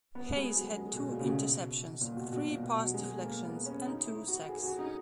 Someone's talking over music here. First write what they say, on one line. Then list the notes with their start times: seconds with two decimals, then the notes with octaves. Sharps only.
Hayes had two interceptions, three pass deflections, and two sacks.
0.15 B3
0.37 G#3
0.57 F#3
0.78 G#3
0.93 B2
1.09 A#2
1.20 C#3
1.24 B2
2.01 A#2
2.17 B2
2.32 B2
2.47 A#2
2.63 B2
2.85 F#3
2.94 G#3
3.24 A#3
3.45 B3
3.66 C#4
3.86 D#4
4.06 E4
4.28 F#4
4.49 G#4
4.63 F#4
4.79 D#4